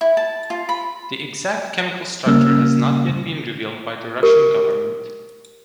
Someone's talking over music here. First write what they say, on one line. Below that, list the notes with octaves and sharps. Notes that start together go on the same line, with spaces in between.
The exact chemical structure has not yet been revealed by the Russian government.
E4
A5
F4
B5
C#3 G3 A#3 C#4 E6 F6
G4 A#4